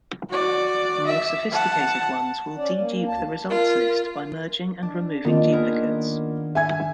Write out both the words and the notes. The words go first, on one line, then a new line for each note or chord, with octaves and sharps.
More sophisticated ones will de-dupe the results list by merging and removing duplicates.
F#4 D5
E5
F#5 A5
C#4 D5
A#3
D2 A5
F4 A#4
D4
D#3 A#3 D4 F4
B3 G#4 A#4
E5 G#5 G#6